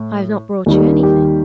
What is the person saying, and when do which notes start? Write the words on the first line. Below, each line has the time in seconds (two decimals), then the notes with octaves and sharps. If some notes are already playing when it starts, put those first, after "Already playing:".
'I've not brought you anything.
Already playing: A2
0.66 D#2 D#3 G3
1.03 G4